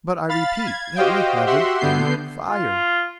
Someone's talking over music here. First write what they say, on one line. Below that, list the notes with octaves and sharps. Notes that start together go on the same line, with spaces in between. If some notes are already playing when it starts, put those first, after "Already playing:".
"But, I repeat, that we haven't any fire!"
F5 B5 A6
G#6
F#4 G4 C5 D#5 F5 G5
F#4 G4 E5 F#5 C6
D3 B3 G6 C7
F4